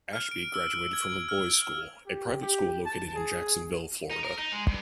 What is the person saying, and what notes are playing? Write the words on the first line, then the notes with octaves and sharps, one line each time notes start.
Ashby graduated from The Bolles School, a private school located in Jacksonville, Florida.
F6
D7
E6
G#6
F6
G4
G4
A5
G#4
D#4
A#4
D#4
G#3
G2